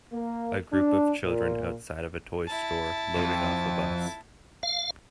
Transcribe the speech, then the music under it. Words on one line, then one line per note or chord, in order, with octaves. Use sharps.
A group of children outside of a toy store loading off a bus.
A#3
D4
A#2
E4 A5
F2
F5